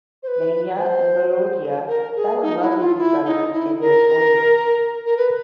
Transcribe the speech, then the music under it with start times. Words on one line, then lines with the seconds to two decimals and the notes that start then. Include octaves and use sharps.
Manya and Volodya fell in love with each other in their school years.
0.23 C5
0.28 B4
0.78 C5
1.88 A#4
2.16 G#4
2.42 D#4
2.61 E4
2.79 F4
2.97 E4
3.25 D#4
3.53 E4
3.80 A#4
5.06 A#4
5.17 B4